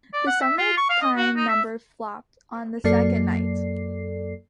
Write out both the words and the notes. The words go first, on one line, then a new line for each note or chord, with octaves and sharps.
The summertime number flopped on the second night.
D5
F#5
E5
F4
C#6
F5
D#5
F#4
D#4
E5
F#2 F#3 A#3 A4 D5 C7